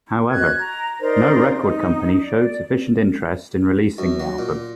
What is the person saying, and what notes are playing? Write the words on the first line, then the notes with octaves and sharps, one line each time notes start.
However, no record company showed sufficient interest in releasing the album.
F#4 D#5 F#6 G#6
A#5
D#4 A#4 C5 D5
D#4
D5
F#2
F#3
A#2